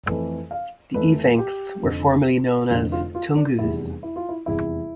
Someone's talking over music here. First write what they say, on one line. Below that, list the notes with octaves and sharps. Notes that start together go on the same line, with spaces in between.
The Evenks were formerly known as "tungus".
F2 E3 A3
F5
F2 E3 A3 B4
G4
F1 F2 D3
F1 F2 D3 F4
F4
F4
D4
F1 E2 C3 G3 E4
E4
F4
E4
F1 E2 C3 G3 E4